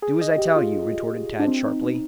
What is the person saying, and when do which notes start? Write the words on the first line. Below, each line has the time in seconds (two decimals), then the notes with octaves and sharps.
"Do as I tell you," retorted Tad sharply.
0.02 G#4
0.21 D#5
0.38 G4
0.56 F4
1.40 D4
1.47 C4
1.65 D#4
1.83 D#4